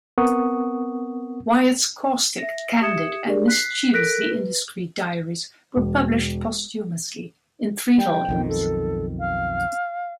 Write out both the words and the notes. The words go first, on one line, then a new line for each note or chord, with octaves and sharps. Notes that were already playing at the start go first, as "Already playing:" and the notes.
Wyatt's caustic, candid and mischievously indiscreet diaries were published posthumously in three volumes.
B3 C4 A#4 F#5 C#6 D#6
E5 A#6
G4 E5 D#6 G#6 C#7 E7
D4 G4 G#4 A#4 D5
F#6 B6 C7
A4 A#4 F#6 A#6 B6 D7
B4
E1
G3 G5
B1 F2 D#3
A4
F5